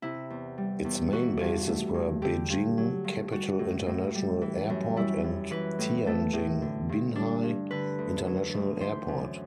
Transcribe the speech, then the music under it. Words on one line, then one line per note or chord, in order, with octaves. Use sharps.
Its main bases were Beijing Capital International Airport and Tianjin Binhai International Airport.
C3 E4
E2
G3
E2
E3 F#4
G2
A3
G2
D3 G4
G2
F#3
G2
G3 F#4
A2
A2
G3
E3
F#2
G3 E4
F#2
E3 B4
A2
A3 A4
A2
D3
G2
G3 D4
G2
D3 B4
D2
F#3
D2
E3 C5
F#2